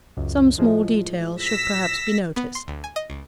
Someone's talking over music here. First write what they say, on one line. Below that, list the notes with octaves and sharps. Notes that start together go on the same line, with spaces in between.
Some small details should perhaps be noticed.
C#2 F#2
A2 F3 G#3
E6 A#6 B6
B3
C6
D2
G#5
D#5
C#2